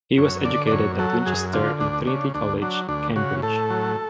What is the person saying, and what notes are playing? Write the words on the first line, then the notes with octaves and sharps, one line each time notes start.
He was educated at Winchester and Trinity College, Cambridge.
F#2 C#5
D3 D5
D5
F#2 C#5
F#3 A4
F#2 G#4
D3 F4
D2 D4
C#3 D4
D2 D4
F#3 D4
D2 D4
C#3 F#4
A2 A4
F#3